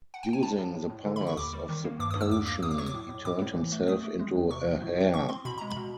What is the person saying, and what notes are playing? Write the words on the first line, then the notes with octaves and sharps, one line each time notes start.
Using the powers of the potion he turned himself into a hare.
F#5
G5
G#5
A2 A5
A2
A2
A2
D3
D3 B5
C#6
D#2 D6
G3
D#3
A#3
G2 D6
G2 D#6
E6
E2 D6
A#3 D6
E2 D#6
D6
F#3 C#6
D6
A2
A2
A2 D6
A2
E3
A3
A3 D#6
A3
G#3
E2
C3 C#6
F3
A2
A2
A2 C#6
C4 C6
B2 B5
G#3 A#5
B5
B2